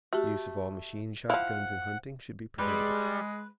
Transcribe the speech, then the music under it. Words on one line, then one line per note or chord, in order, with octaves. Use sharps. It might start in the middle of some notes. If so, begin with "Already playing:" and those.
The use of all machine shotguns in hunting should be prohibited.
A3 F#4 G4
F3 E4 F5 F#5
G3 G#3 B4